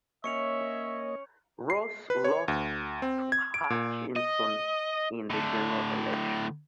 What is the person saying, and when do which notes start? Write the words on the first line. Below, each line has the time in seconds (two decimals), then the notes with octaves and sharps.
Ross lost to Hutchinson in the general election.
0.24 A#3 C#4 C#5 D#5 E5 C#6 C#7 F7
1.70 C7
2.10 B4
2.25 C#5
2.48 D2
3.02 C4
3.32 G#6
3.54 D7
3.70 A#2
4.16 D#5
5.31 A2 D3